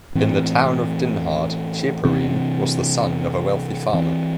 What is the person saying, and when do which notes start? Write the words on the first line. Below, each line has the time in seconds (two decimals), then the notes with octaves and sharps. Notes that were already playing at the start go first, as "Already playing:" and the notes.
In the town of Dinhard, Ceporin was the son of a wealthy farmer.
0.15 A2 E3 C4
2.04 C3 E3 C4
3.94 E3 C4